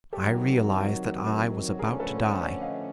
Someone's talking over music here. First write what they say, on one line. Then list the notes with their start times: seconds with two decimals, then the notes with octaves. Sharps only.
I realized that I was about to die . . .
0.13 C3 D#3 F#3 G4 A4
1.79 D3 F3 A3 C#4 G#4 A#4
2.00 A4 B4
2.41 D5 E5
2.62 D#5 F5